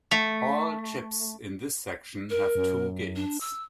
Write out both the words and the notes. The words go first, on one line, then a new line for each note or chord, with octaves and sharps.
All chips in this section have two gates.
A3
A#4
F#2
D4
E6